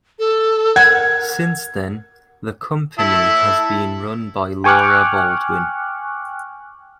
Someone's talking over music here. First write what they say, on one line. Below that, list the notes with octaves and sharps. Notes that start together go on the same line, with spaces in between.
Since then, the company has been run by Laura Baldwin.
A4
A#4 F#5 G#6
E4 A5 E6
G5 G#5 C#6 D6 F6 F#6